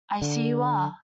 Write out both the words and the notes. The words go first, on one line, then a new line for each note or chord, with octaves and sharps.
I see you are.
D3